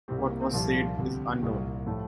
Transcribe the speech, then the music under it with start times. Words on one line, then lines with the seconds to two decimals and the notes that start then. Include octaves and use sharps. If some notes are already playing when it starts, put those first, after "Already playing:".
What was said is unknown.
0.08 C2 C3 G3 C4
0.19 A#3
0.31 A#3
0.41 C4
0.53 C2 A#2 F3 G3
0.97 D2 C3 G3
1.42 C2 A#2 G3
1.86 A2 F3 A3